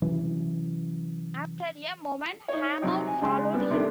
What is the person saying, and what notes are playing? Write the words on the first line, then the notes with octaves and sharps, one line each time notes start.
After a moment Hammond followed him.
C3 E3 F#3 C#4
D#4 C#5
C3 F#3 C4 D#4
G#5
C#3 G#3 C6
G3 B3 C4 D4
C3 D#3 A3 D4